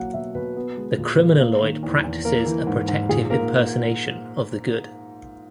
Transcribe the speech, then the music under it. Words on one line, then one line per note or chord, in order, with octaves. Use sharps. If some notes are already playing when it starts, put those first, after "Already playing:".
The criminaloid practices a protective impersonation of the good.
Already playing: F#3 A#3 F#5
B2 E5
B2 B4
B3
G#3
A#2
A#2
A#3
D#3
E2
E2
A#3 A#4
E3
G#2
G#2
A#2 G#4
A#3 A#4